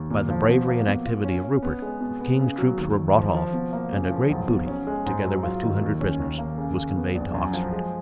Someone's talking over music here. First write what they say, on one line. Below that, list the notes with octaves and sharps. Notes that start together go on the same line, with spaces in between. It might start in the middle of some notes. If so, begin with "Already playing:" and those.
By the bravery and activity of Rupert, the king's troops were brought off, and a great booty, together with two hundred prisoners, was conveyed to Oxford.
Already playing: D#2
A#2
F3
B2
A#3
B2
F4
C#4
C#4
B3
G#3
B2
B3
C#3
F#3
D#2
D#2
F3
F3
B2
A#3
C#3
F3
B1
B2
C#4
G#3
G#2
F#3
F4
D#3
D#2
C#4
D#2
A#3
C#3
C#3
B3
A#1
F#2
F3
G#3